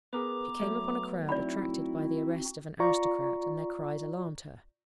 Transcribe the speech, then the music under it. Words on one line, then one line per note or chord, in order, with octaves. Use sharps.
'She came upon a crowd attracted by the arrest of an aristocrat, and their cries alarmed her.
B3 G#4 A#4 B4 A#5 D6
F#3 A3
C4 D#4 E4 F#4 D5 B5
F4 D5 A#5 C#6